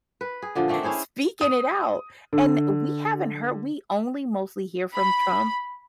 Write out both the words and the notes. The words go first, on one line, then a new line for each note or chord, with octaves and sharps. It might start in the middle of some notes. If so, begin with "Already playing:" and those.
speaking it out. And we haven't heard we only mostly hear from Trump
B4
G#4
A#2 D3 F3
D#3 A3 C4 D4
C#4 E4 G#4 C5
D#6
D3
B5